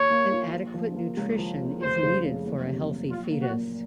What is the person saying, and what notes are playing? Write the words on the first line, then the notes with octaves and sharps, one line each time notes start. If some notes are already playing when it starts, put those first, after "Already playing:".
An adequate nutrition is needed for a healthy fetus.
Already playing: D#2 C#5
A#3
F4
A#1
F3
A#3
C#2
F3
A#3
F1 C5
C#3
F1
F#1
C3
F#1
A#2 F4
A#3
F#4
A#2